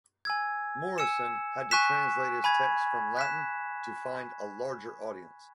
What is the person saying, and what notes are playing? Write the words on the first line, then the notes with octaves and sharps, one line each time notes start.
Moryson had to translate his texts from Latin to find a larger audience.
G#5 E6 G#6
G#5 E6 C#7 E7
G#5 C#6 F#6 B6 E7
G#5 B5 G#6
F#6 B6 E7